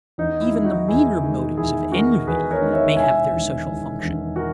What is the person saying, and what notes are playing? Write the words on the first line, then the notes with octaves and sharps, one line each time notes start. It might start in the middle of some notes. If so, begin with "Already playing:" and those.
Even the meaner motives of envy may have their social function.
E2 D#4
E4
D#3 G#3
D#4 F#4
E2 E4 G#4
D#3 G#3
E2 E4 G#4
D#3 G#3 F#4 A#4
E2 G#4 B4
A#4 C#5
D#3 G#3
C#5 E5
E1 E5 G#5
E2
D#3
E1
E2 D#3
F#4 A#4